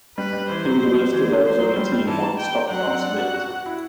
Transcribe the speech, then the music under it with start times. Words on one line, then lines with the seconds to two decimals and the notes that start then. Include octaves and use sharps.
The University of Arizona team won the Stock Class event.
0.17 G3 B4
0.33 G3
0.49 E3 C5
0.65 F#3
1.13 E3
1.28 D3
1.44 E3 C5
1.60 F#3
1.76 G3
1.92 G3
2.07 E3 A5
2.39 G5
2.71 F#3 F#5
2.87 C4
3.02 D4
3.18 F#4
3.34 F#4
3.51 F#4
3.66 E4